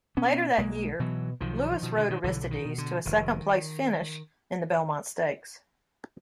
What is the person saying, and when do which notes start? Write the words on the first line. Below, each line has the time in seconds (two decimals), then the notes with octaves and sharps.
Later that year, Lewis rode Aristides to a second-place finish in the Belmont Stakes.
0.17 B2 B3 C#4
0.58 B1 G#3 A#3
1.00 B2 E3 F#3
1.41 B1 D#3 F3
1.83 B2
1.98 D3
2.10 D#3
2.24 B1 D3 E3
2.43 D3
2.51 D#3
2.65 B2
2.78 D3
3.06 F1 D#3